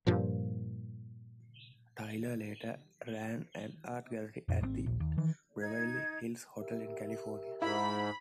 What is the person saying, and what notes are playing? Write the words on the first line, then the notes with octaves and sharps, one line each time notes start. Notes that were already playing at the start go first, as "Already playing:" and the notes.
Taylor later ran an art gallery at The Beverly Hills Hotel in California.
G2 A#2 F3
F2 A#2
G#1 D3 C4
D#1 A#1
D#2
D#3 E3
D#4 G#6
G4 A#4 E5
G#2 E4 B5